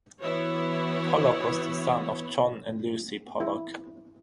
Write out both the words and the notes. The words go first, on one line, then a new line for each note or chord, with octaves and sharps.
Pollock was the son of John and Lucy Pollock.
E3 B3 E4 F#4 C#5
E4